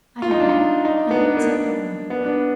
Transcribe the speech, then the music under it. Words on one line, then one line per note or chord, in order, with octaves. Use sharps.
"I don't know, I don't know."
F4
D#4
D4
D#4
D#4
B3
D4
B3
A#3
D4
B3
D4